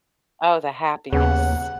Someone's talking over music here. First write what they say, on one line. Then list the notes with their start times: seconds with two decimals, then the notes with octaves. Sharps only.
oh, the happiness.
1.13 D#2 C#3 B3 C#4 F#5